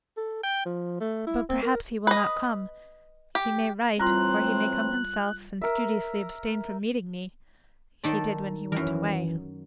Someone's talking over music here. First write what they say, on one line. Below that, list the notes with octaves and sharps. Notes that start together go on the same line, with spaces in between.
But perhaps he will not come; he may write, or he may come himself, and studiously abstain from meeting me--he did when he went away.
A4
G5
F3
A3
E4
C4
A#4
B4 D#5
G4
A2 E3 G3 C4 F4 A#5 C6 F#6
A#4 E5
D#3 A4 D5
F#2 E3 A#4